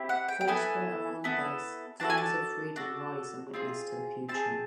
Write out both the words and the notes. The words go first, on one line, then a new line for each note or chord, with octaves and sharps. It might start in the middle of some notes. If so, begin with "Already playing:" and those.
Foursquare around the base, flames of freedom rise in witness to the future.
Already playing: C4 E4 G4
F#5
G5
G5
B3 E4 A4 G#5
B3 E4 A4
D4 F#4 A4 A5
G#5
A5
D4 F#4 A4
C4 F4 G#4
C4 F4 A5
G#4